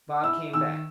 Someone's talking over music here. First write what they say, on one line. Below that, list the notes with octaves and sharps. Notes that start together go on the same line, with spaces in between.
Bob came back.
E4 E6
D#3 E6